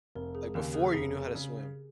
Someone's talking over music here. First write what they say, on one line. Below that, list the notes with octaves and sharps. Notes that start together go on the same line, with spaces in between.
like, before you knew how to swim,
F1 A#4
G#4
D#2 C#3 G4
G#4
F1 G#4
C#3